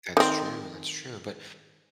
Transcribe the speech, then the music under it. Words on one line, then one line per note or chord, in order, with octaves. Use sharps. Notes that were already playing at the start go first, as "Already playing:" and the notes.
That’s true, that's true, but
D#3 C4